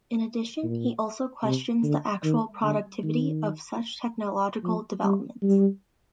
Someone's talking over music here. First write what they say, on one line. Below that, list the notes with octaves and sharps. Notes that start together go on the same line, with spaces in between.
In addition, he also questions the actual productivity of such technological developments.
A#2
C3
D3
D#3
D3
D#3
F3
G3
G3